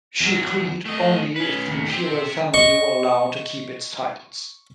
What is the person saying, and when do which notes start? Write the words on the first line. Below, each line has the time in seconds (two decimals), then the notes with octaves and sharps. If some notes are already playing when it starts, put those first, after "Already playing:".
She agreed only if the imperial family were allowed to keep its titles.
0.20 E2 F#3
0.86 A3 D#5
1.36 C#4 B4
1.67 D#2 A2
1.90 C4 G4
2.54 D#5 C#6